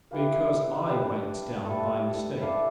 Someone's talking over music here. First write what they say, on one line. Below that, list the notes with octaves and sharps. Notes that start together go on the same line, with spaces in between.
"Because I went down by mistake."
E4 G4 B4 F5
D4 G4 B4 F5
G3 B3 E4 A4
E4 A4 D5 F5